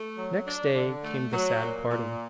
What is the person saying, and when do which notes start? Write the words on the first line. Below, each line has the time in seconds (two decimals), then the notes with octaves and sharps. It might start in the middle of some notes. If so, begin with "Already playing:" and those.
Next day came the sad parting.
Already playing: A3
0.16 F#3
0.45 D4
0.74 D3
1.03 A3
1.31 F#3
1.60 A#2
1.90 A#2